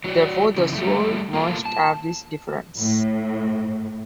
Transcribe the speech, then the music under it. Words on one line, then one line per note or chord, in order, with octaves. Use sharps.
Therefore, the soul must have this difference.
F#3 F#4 C#5 D5
C#3 E3 F3
G3 A3
A#3 F4 A4
A5
A2